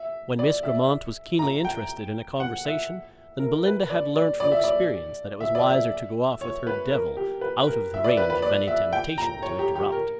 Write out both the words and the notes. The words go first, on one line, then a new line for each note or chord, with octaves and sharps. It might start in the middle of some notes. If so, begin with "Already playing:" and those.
When Miss Grammont was keenly interested in a conversation, then Belinda had learnt from experience that it was wiser to go off with her devil out of the range of any temptation to interrupt.
Already playing: E5
D5
E5
A#5
G5
F#5
E5
A#4
B4
D5
D5
D5
E5
D5
E5
D5
E5
C#5
B4
A#4
G4
B4
A#4
E5
D5
B4
B4
D5
E5
G5
A#5
C#5
G4
G4
A#4